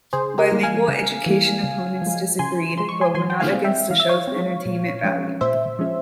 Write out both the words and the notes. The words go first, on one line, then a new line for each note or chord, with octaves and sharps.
Bilingual education opponents disagreed, but were not against the show's entertainment value.
C#3 G#4 C5
G4 A#4
E3 G3 A#3
F5 G#5
C#3
E3 G3 A#3
C#3
F3 G#3
C#3 G#5 C6
F3 G#3 C6
C#6
G#5 C6
E3 G#5 C6
G5
F5 G#5
G#3 C4
E5 G5
E3 F5
E5
C#5 F5
G#3 C4
A#2
F3 G#3 C#4
A#2 C5 E5
F3 G#3 C#4